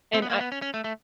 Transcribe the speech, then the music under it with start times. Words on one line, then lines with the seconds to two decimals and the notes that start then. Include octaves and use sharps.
And I
0.14 C4
0.22 B3
0.30 A#3
0.41 B3
0.52 C#4
0.62 C#4
0.74 A3
0.84 A3